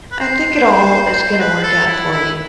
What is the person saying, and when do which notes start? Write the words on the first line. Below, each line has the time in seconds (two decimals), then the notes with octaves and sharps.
I think it all is gonna work out for you.
0.12 B4
0.20 C5
1.39 B4
1.63 A4
1.87 E4
2.11 E4